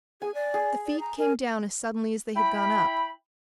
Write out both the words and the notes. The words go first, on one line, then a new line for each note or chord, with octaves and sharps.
The feet came down as suddenly as they had gone up.
G#4 G#5
D5
G#4
D5
A#5
A#4 G#5
E4 G5 B5